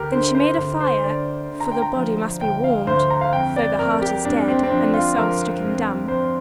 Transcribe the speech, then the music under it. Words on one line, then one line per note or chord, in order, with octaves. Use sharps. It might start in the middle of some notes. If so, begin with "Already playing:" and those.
Then she made a fire, for the body must be warmed, though the heart is dead, and the soul stricken dumb.
Already playing: D2 G4 A#4
D3 C5
C5
D2
C5
D3 D5
D3
A#5
G5
A#5
F3
D2 G5
F5
D2 C5
A#5
F5
F2 G5
D5
F2 A#4
G4
F2 D4
C4
C4
F3 D4
F4
F3 A#4
F2
F2 C5